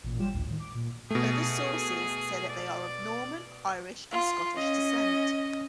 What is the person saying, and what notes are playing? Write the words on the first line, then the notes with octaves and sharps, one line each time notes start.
Other sources say that they are of Norman, Irish and Scottish descent.
A1 A#2
G#1 F#3 G3 F4 G4 E7
A1 D2 A2
A2 D#3
D6
A#2
B2 A3 G#4
D5
F4 C6
C#4 D#5